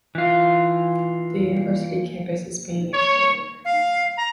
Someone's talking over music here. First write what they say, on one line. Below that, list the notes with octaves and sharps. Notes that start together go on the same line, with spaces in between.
The University campus is being expanded.
E3 F4
C#5
F5
A#5